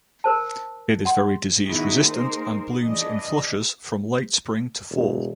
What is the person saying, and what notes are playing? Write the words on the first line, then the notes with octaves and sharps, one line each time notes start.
It is very disease resistant and blooms in flushes from late spring to fall.
A#4 C5 A5
F#5 C6
D#3 B3 D#4 E4 F#4 G#4
A#3 D#4 G#4 A#4 C5
E3 D4 G#4 D#5
E1